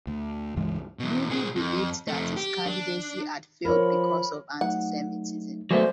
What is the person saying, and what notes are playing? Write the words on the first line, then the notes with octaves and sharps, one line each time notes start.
Ruby believed that his candidacy had failed because of Antisemitism.
D2
C#2 G2 E3 G#3
E2 B2
A#2 G#4
F2
F2 A3
G4
D4
F3 A#4 C#5 B5
F#3 A3 D#4 F#5
F#3 A3 B3 C5 D5 G#5 D6